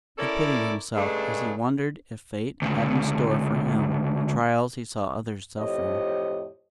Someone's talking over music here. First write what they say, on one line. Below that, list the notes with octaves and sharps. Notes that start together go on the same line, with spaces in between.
He pitied himself as he wondered if fate had in store for him the trials he saw others suffering.
C#4 E4 A4 A#4 D5
G2 C#3 G#3 A3 D4
D2 C#3
F2 A2 G4 C5 C#5 D#5